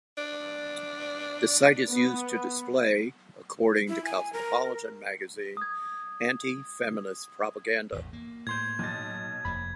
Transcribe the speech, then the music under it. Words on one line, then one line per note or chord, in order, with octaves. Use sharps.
The site is used to display, according to Cosmopolitan magazine, "anti-feminist propaganda".
D4
B3
E4
G#5
A#4
D#6 G#6
A1 E2 G#2
A#3
A2 C6 G6 G#6
B1 A6
F1 F2 A#3 B5